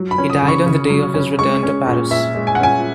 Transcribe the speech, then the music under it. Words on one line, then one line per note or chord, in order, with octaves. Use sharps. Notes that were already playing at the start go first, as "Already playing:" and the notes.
He died on the day of his return to Paris.
Already playing: F#3
B5
C#4
D#6
C#3
C#6
C#3
F#3
C#4
G#3 C#6
C#4
A#2
A#2 E5
G#3
G#5
F#5
C#4 G#5